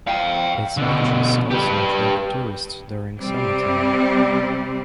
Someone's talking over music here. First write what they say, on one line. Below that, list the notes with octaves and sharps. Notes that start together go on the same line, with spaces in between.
Its beaches also attract tourists during summer time.
F5 G5
B2 D3
G4 B4
C3 G3 C4